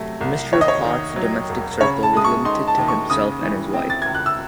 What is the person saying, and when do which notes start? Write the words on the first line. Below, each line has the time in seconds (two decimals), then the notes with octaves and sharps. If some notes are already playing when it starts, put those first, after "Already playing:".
Mr. Pott’s domestic circle was limited to himself and his wife.
Already playing: C3 F#3 A3
0.21 C2
0.53 D#2 C#5
0.61 D#5
0.68 C#5
0.85 D#3
1.16 F#3
1.50 E1
1.81 C#3 C#5
2.03 A5
2.13 G#3 D#6
2.24 C#6
2.45 D#4 C6
2.68 A5
2.78 D#2
2.88 C#6
3.10 C#3 D#6
3.42 E3
3.74 C4
3.90 A6
4.02 C#2 G#6
4.15 F#6
4.26 E6